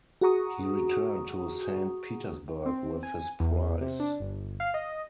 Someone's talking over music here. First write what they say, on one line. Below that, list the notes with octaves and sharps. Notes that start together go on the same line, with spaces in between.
He returned to Saint Petersburg with his prize.
F#4 G#4 F#5 A#5 C#6 D#6
C4
G#5
E2
C3
D4
G1
F5
D#5